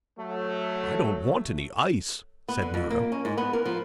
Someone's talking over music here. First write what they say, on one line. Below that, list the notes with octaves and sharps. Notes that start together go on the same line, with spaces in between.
"I don't want any ice," said Nero.
F#3 A3
B3
D3
F2
A#3
C#4
G#2
B3
A#4
F3